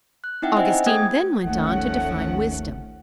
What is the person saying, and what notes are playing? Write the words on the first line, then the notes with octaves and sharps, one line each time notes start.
Augustine then went on to define wisdom.
F#6
C4 D#4 E4 E5 F#5 G5
C#4 C5 D#5 E5 F#5 G#5
A3 B3 G#4 G5 D#6 G#6
G#1 D#2 D#3 F3 A3 C#4 F#5